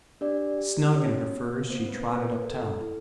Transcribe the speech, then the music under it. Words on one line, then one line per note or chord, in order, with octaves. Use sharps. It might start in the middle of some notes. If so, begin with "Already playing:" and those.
Snug in her furs she trotted up-town.
D4 G4 D5
G4
C#4 F#4 C#5
B3
A#3 C4 C5
B4
A#3 B4
A#4
A4
E4